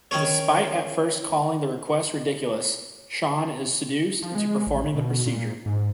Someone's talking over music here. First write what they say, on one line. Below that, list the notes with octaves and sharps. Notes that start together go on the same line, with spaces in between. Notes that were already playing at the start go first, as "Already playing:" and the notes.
Despite at first calling the request ridiculous, Sean is seduced into performing the procedure.
D#3 C#4 C#5
F3
G#3
A1
B2
A#2
G#2